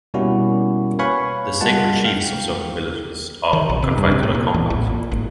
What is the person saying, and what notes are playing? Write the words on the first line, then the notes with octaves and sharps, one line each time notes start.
The sacred chiefs of certain villages are confined to their compounds.
B2 G3 A#3 C#4 E4 F#4
B4 C#5 F5 G#5 B5 C#6
G3 G#3 A#3 F4 F#5 A5
F5 G5
D#3
A#1
C3
G2
C3
A2
A#2
E2
A1
A#2
G#1